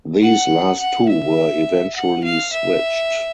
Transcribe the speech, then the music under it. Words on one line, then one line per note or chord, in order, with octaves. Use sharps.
These last two were eventually switched.
F#5
F#5
E5
F#5
F5
E5